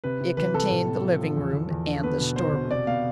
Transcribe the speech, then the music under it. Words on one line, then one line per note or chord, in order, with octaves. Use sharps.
It contained the living-room and the storeroom.
C3 B4
C3
E3 B4
C3 A4
A2
B3
F3
F3
E2
E2
E2
D3
B3 B4
B2
B3 C5
B2
C3 D5
B3 F5